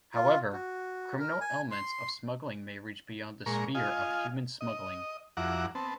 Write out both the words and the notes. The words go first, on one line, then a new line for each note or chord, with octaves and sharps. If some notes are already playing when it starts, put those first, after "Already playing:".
However, criminal elements of smuggling may reach beyond the sphere of human smuggling.
F4
F#4
A#4
G#5
C6
A#2 G#3 A#4 A#5 C#6
F4 D#5 G#5
D#5
F2 E4 F#4 F#5 A#5 D6
B3 C4 A5